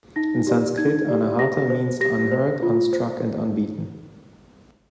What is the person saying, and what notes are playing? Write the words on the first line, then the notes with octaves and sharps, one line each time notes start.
In Sanskrit, "anahata" means "unhurt, unstruck, and unbeaten".
D#4 A#6
G4 D5
D#4 G#6
G4 D5
G4 A#6
C5
G4 A#6
C5
F4
C5